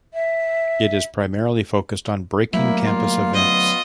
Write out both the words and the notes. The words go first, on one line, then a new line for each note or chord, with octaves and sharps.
It is primarily focused on breaking campus events.
E5
F#3 A3 A#3 E4
F4
B3 D#5